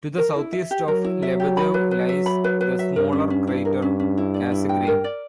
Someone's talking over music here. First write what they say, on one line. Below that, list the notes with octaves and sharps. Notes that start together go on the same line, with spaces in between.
To the southeast of Lebedev lies the smaller crater Cassegrain.
A#4
E4
E5
G4
F#3 A#4
E4
E5
G4
B5
B4
B4
E5
B5
B4
B4
E5
G2 A#4
C#4
C#4
E4
A#4
C#4
C#4
E4
D5
E4
G5
A#4
D5